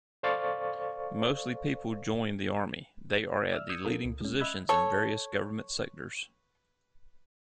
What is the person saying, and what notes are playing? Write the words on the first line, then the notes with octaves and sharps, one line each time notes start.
Mostly people joined the army.they are at the leading positions in various Government Sectors.
A4 C5 D5 F5 C#6 A6
D5 E5 E6 F6
D#6 E6 G6 G#6 C#7 D#7
B2 C4 F4 A4 A#4
C#2
G#3 C#4
D#5 E5 B5 E6 F#6 G#6
A4 C#5